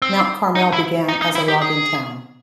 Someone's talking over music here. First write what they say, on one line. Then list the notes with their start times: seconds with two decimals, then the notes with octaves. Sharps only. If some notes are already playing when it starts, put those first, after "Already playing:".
Mount Carmel began as a logging town.
0.02 C4
0.55 D#4
0.73 E4
1.08 D#4
1.22 D#4
1.35 E4
1.48 G4
1.62 G#4